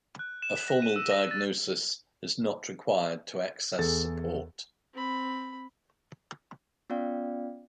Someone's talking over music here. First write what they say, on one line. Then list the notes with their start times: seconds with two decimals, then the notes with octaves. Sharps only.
A formal diagnosis is not required to access support.
0.19 F#6
0.42 E7
0.56 B6
0.68 A#6
0.82 D#7
0.96 E6
1.11 A#6
1.31 A6
3.78 E2 G#4 A4 A6
4.94 C4 B5
6.90 B3 C#4 F4 D5 F5 G5